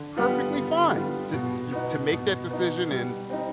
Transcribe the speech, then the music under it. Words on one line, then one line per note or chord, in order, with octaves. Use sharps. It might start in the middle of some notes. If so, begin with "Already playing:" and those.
Perfectly fine to to to make that decision and
Already playing: D3
G3 B3 F4
D3
G3 B3 F4
B2
B3 D#4
B2
B3 D#4
G3
C4 D#4